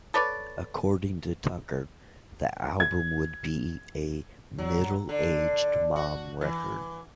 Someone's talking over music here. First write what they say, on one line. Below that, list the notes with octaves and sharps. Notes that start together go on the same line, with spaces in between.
According to Tucker, the album would be a "middle-aged mom record".
A4 B4 C#5 D5
G#6
F#3
D3
F#4
E3